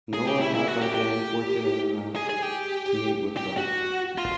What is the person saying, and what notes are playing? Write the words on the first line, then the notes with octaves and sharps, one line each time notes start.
Nor have I been fortunate enough to meet with them.
G#4
G4
E4
E4
F#4
G4
G4
G#4
G#4
G4
G4
F#4
F4